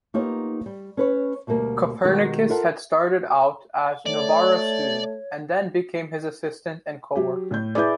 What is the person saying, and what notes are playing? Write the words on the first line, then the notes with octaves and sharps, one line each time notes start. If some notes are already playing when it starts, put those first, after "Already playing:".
Copernicus had started out as Novara's student and then became his assistant and co-worker.
A#3 B3 D#4 F4 G4 C#5
G3
C#4 B4 C#5
D2 B2 G3 A#3 A#4
B2 D#3 G#3 F#4 G4
F4 A4 A#4 E5 F#5
A3 C#5 D5
F#3 G4
A2 G6
E4 G#4 B4 D5 G6